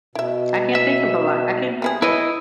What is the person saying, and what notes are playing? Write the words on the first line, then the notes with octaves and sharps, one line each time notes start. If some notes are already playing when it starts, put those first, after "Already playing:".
I can't think of a lot. I can't think.
B2 E4 E5
E3 E5
G3 E4 G#4
E4 B4 C#5 D#5